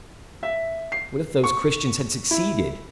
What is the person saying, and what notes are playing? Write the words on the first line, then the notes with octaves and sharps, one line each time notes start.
What if those Christians had succeeded!...
E5
C7
C#6
E4